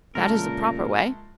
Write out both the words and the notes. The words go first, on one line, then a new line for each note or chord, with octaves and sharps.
"That is the proper way."
A#2 C#3 G#3 A3 A4 A#4